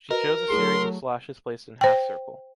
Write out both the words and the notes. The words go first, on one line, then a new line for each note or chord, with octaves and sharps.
She shows a series of slashes placed in half-circle.
F#4 A#4 B4 D#5
F#3 A3 E4 G#4 C6
C5 G5